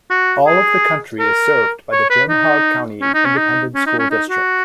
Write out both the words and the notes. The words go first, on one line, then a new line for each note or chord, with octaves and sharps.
All of the county is served by the Jim Hogg County Independent School District.
F#4
G#4
A#4
C#5
B4
D#4
C#4
D#4
C#4
D#4
C#4
D#4
C#4
D#4
F#4